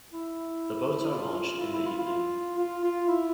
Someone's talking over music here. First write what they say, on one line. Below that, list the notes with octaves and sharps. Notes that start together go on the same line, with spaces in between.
The boats are launched in the evening.
E4
E4
F4
E4
E4
F4
F4
F4
F4
E4